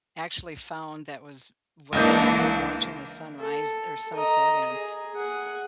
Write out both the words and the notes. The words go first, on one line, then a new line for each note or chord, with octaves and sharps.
actually found that was was I loved watching the sunrise or sunset in
C#2 E3 A#3 D4 D#5 G6
A4
D#5 A#5
G#4
G#4 F#5